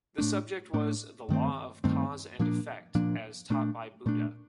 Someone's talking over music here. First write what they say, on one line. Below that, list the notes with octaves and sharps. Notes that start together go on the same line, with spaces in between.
The subject was "The Law of Cause and Effect, as Taught by Buddha".
A2 A3 D4
A2 A3 D4
G2 D#3 A3 C4
G2 D#3 A3 C4
A#2 F3 A#3 D4
A#2 F3 A#3 D4
A#2 A3 D4
A#2 A3 D4